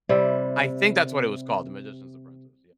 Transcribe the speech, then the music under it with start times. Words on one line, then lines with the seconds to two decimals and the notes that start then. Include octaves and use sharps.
I think that's what it was called, "The Magician's Apprentice." Yes,
0.09 C3 G3 E4